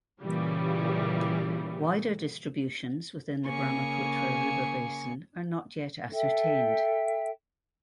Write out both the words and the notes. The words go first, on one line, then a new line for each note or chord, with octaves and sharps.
Wider distributions within the Brahmaputra River basin are not yet ascertained.
A#2 C#3 E3 G3
C#3 A#3 G#5 C#6
A4 E5 G5